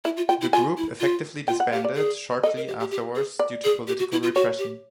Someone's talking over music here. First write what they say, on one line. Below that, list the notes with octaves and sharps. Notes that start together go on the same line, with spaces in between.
The group effectively disbanded shortly afterward due to political repression.
E4 E5
F4
F4 G5
E4
F4 G#5
E4
F4
F4 G5
F#5
G4 F5
D5
G#4
A4 D#5
A#4
G4
G4
G4
G#4
D5
G#4
G4
F#4
E4
F4
F#4 C#5
G4